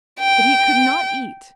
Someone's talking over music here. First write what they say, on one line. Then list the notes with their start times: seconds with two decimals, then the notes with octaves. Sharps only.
But he could not eat.
0.20 G5